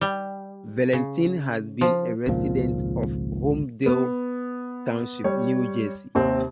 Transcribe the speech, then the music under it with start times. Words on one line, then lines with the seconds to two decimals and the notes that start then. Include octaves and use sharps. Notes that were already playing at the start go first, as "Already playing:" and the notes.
Valentin has been a resident of Holmdel Township, New Jersey.
0.01 G3
0.93 C#3
1.81 F3
2.27 G#1 C#2 A#2 F3
3.86 B3
5.24 G3 C#5
6.15 D#2 C3 C4